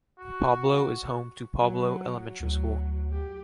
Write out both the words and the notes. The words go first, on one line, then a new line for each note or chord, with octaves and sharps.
Pablo is home to Pablo Elementary School.
F#4
F#3
D2 F#3
G4